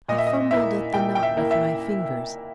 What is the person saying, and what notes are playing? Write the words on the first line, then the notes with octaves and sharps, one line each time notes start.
I fumbled at the knot with my fingers.
A#2 D#5
E5
D#5
A#3 E4 E5
A#2 G5
G5
E5
A#3 E4
E5